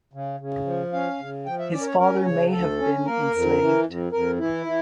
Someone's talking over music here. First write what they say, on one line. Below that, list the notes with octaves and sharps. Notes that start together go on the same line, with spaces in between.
His father may have been enslaved.
C#3
C#3
F3
C#4 F5
C#3
F3 G5
E5
C#4 D5
A#4
C#5
C#4 A#4
C#3 C#5
D2 A4
C#4
A#3 A#4
F2
E3
F2
F2 A#4
E3 E4
E3